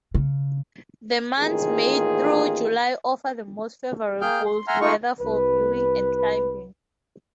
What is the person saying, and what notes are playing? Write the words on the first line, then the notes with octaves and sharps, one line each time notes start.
The months May through July offer the most favorable weather for viewing and climbing.
C#3
A1 D#3 A#3 F4 G#4
A#3 G#4 G5 F6 G6
C6
E5 F#5 G#5 A#5 C6 F6
A3 D#4 F4 C#6
C2 B4